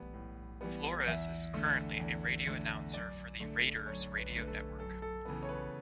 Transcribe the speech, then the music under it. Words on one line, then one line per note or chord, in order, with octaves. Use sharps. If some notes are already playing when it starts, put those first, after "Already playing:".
Flores is currently a radio announcer for the Raiders Radio Network.
Already playing: A2 E3 G3 B3
A2
E3 G3 B3
E2 E5
D3 A3
E2
D3 A3
F#2 D5
D3 A3
F#2 C#5
B4
D3 A3
B4
A4
F#2 A4
A4
C#3 E3 B3
C#5
B4